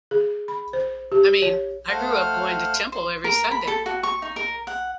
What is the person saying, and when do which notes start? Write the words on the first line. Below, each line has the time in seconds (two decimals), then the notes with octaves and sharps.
I mean, I grew up going to temple every Sunday.
0.11 G#4
0.48 B5
0.73 C5
1.12 G4
1.42 C#5
1.89 A3 C5 F5 F#5 F6
2.92 C5
3.24 A#4
3.51 B5
3.67 A4
3.86 F#4
4.03 C#6
4.22 D#4
4.36 A#4
4.67 F#5